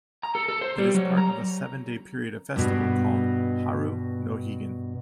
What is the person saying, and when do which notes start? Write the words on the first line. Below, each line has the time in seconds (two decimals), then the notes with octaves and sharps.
It is part of a seven-day period of festival called Haru no Higan.
0.23 A#5
0.35 A4
0.49 A4
0.61 C5
0.78 G3
0.95 F#3
1.17 A#5
2.56 G2 B2